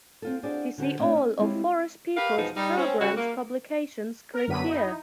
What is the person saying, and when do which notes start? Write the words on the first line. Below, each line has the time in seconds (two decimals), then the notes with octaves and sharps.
To see all of Forest Peoples Programme's publications click here.
0.22 C4 F4 A4
0.43 D4 F4 F#4 G#4 C5 D5
0.78 D3 F#4 C5 A5
0.99 A3 C4 D4 D#4 C#5 G5
1.15 C#4
1.39 G#3 C4 C#4 E4 F4 G4
2.17 G4 A#4 B4 F5
2.37 E2 B2 F3 G#3 D#4
2.56 G3 D#4
2.77 C4 C#4
3.00 C#3 G3 A3 F#4
3.17 A#3
4.34 A#4
4.48 F#2 D3 F#3 B3 B6 D#7
4.68 D#4 E4